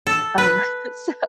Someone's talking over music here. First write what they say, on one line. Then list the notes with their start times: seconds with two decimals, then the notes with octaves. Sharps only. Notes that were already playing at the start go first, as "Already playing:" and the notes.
Um, so
0.07 A4
0.38 B4